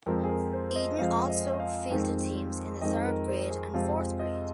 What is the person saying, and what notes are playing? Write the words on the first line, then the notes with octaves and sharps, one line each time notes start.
Eden also fielded teams in the third grade and fourth grade.
F2 F3 G#3 C4 A#4
G#4
A#4
C5
C5
D#5
F2 F3 G#3 C4 F5
D#5
D#5
F5
F2 D#3 G#3 C4
F2 D#3 G#3 C4 D#5
A#4
C5
G#4
F2 C3 F3 G#3 C4 F4
G#4
D#5